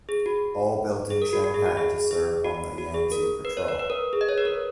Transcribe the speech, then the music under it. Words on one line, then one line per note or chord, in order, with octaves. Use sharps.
All built in Shanghai to serve on the Yangtze Patrol.
G#4
F#4
G#4
A#4
F#4
F#4
G#4
F#4
G#4
G#4
F#4
F#4
G#4
A#4
B4
C#5
B4
B4
A#4
G#4
D#5
C#5
B4
A#4